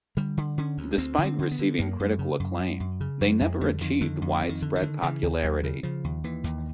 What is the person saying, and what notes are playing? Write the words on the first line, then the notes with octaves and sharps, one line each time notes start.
Despite receiving critical acclaim, they never achieved widespread popularity.
D3 G3
D3
D3 C#4
D2
D2 C4
D3
C4
D3 C4
B3
D3
F#2 A#3
F#2
C#3
F#2
F#2
F#2
C#3
F#2
F2 G#3
D3 G3
F2 D#3
D3 D#3
F2
F2
D#3
D3
D#3
D3
C#3 E3
D#2
D#2 F#3
C#3
C#3 F3
D#2
D#2 E3
D#2